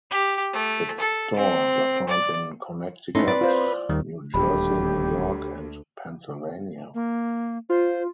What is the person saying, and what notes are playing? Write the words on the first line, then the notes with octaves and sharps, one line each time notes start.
Its stores are found in Connecticut, New Jersey, New York, and Pennsylvania.
G4
A3
A4
C4
D5
A3 C4 C#4 D#4 E4 C6
B4 D5
F4 C5
D#2 D#3 G3
D#1 D2 G4 B5
A#3
F4 C5